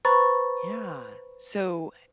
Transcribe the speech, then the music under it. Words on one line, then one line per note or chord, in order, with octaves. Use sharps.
Yeah, so,
B4 C5 A#5 B5 C#6 A6